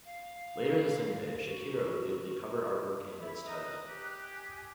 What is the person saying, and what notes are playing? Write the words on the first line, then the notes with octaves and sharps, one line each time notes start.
Later the same day Shakira revealed the cover artwork and its title.
F5
F#4
E4 B5
D#4 D#5
F#6
G4
G#5 D#6